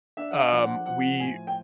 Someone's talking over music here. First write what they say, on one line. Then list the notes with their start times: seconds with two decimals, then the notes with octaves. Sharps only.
um, we
0.17 D4 E5
0.31 F#5
0.40 F5
0.52 F3
0.63 F#5
0.86 F3 F#5
1.20 A2 G#5
1.47 G5